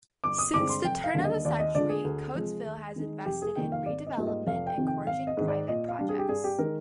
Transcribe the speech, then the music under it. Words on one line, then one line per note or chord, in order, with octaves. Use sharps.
Since the turn of the century, Coatesville has invested in redevelopment, encouraging private projects.
G1 D6
D#6
G2 D3 G#3 C4 D6
C6
F1 G5
F5
D#2 D3 G3 A#3
D#5
D#2 D5
D#5
D3 G#3 D4 F4 D5
G#4
D2
C3 F3 G#3
D#2
D#3 G#3 D#4
F1 G4
G#4
F2 C3 D#3 A#3 G5
F5
G#1 D5
D#5
G#2 G3 A#3 F4
D#5
F1 F5
G5
F2 C3 D#3
G5
G#1 F5
D#5
G#2 D#3
D5
A#2 D#5
F5
G3 D4
G#4
G4
G2 G#4
G4
D#3 G#3 D#4 A#4